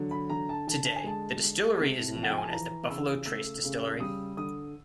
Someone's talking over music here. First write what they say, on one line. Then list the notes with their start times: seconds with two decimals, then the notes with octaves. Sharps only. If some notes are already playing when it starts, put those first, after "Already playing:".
Today the distillery is known as the Buffalo Trace Distillery.
Already playing: D3 F#3
0.11 B5
0.30 D3 A#5
0.49 A5
0.67 D3 A5
0.85 A5
0.96 G#5
1.04 G#3 A5
1.42 G#3
1.78 C3
2.15 F3
2.23 F#5
2.30 G5
2.38 G#5
2.45 A5
2.52 E3 A#5
2.90 C#3 E6
3.26 A3 E6
3.64 C#3
4.00 G3 D#6
4.37 D3 D#6